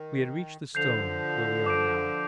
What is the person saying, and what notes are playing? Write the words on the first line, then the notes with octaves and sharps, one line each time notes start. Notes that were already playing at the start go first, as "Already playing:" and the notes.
We had reached the stone where we are now.
Already playing: D#3
D3 F3 G6 C7 F7
D6 G6 D7